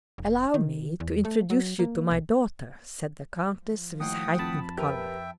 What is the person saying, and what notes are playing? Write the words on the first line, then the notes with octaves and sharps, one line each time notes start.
"Allow me to introduce you to my daughter," said the countess, with heightened color.
F1
D#3
E2
A3
F#3
A#3
B1
F3
D#2 A2 F#5 G5 D#6
F2 A5 B5
G4 A#4 B4 E5 G5